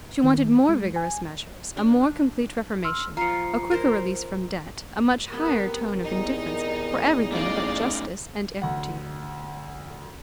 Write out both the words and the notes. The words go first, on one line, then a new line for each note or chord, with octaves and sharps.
She wanted more vigorous measures, a more complete reformation, a quicker release from debt, a much higher tone of indifference for everything but justice and equity.
D#3
G#3
G#5
D4
C6 E6 F6
F3 F4 A#5 C7 C#7
A#4 C5
B3 C4 G4 A#4
E2 D#4
A3 C#4 D#4 D5 D#5 F5
D2 F#5